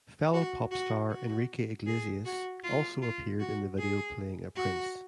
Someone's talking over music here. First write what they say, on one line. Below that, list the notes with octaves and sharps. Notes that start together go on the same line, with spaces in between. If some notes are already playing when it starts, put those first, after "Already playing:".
Fellow popstar Enrique Iglesias also appeared in the video playing a Prince.
F#4
F#4
F#4
G#4
F#4
F4
F4
F#4
G#4
F#4